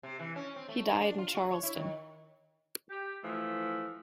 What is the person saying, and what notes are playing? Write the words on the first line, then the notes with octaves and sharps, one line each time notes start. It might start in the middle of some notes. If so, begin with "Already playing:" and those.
He died in Charleston.
C3
E3
C#4
C4
A3
A#3
D4
F4
F#4
C#5
E4
D#3
G4
E3 F3 A3